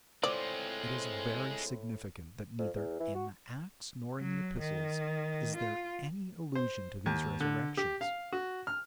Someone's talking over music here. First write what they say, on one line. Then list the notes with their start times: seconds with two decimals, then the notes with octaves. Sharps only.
It is very significant that neither in the Acts nor in the Epistles is there any allusion to these resurrections.
0.23 A2 G#3 C4 F4 D5
2.59 F2
2.75 E2
3.00 E3
3.14 F#4
4.19 F#3
4.59 D#3
5.56 F4
6.55 C5
7.06 D#2
7.40 D3
7.77 G4
8.01 F5
8.33 F#4
8.67 F6